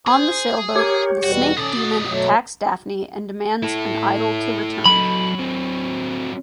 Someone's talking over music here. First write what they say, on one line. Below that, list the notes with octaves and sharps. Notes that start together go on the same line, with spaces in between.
On the sailboat, the snake demon attacks Daphne and demands an idol to return.
G#4 C5
G4 A#4 C#5
E2 B2 G3 F#4
B2 C#4 A4 D5 D#6
F#4
F#3 A3
E4 A4
F#3 A4 B5
F#3 C4